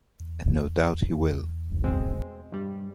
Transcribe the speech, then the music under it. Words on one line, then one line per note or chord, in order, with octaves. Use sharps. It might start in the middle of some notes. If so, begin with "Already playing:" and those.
And no doubt he will.
E2
B2 G#3 C4
G2 G3